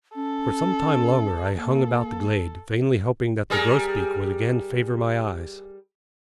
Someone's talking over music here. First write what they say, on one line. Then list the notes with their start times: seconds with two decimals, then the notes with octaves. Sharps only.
For some time longer I hung about the glade, vainly hoping that the grosbeak would again favor my eyes.
0.15 C#4 A4
1.57 A#3 A4
3.50 G3 G#4 A#4